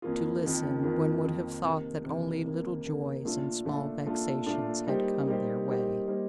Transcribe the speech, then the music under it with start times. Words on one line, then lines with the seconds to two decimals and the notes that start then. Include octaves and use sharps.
To listen, one would have thought that only "little joys" and small vexations had come their way.
0.02 F2 D#3 A#3 F4
0.43 F2 D#3 A#3 F4
0.83 F2 D#3 A#3 F4
1.23 F2 D#3 A#3 F4
1.64 C3 D#3 A#3
2.04 C3 D#3 A#3
2.44 C3 D#3 A#3
2.85 C3 D#3 A#3
3.25 A#2 A3 D4 F4 A4
3.65 A#2 A3 D4 F4 A4
4.06 A#2 A3 D4 F4 A4
4.46 A#2 A3 D4 F4 A4
4.86 G3 A#3 D#4 G4 C5
5.27 G3 A#3 D#4 G4 C5
5.67 G3 A#3 D#4 G4 C5
6.07 G3 A#3 D#4 G4 C5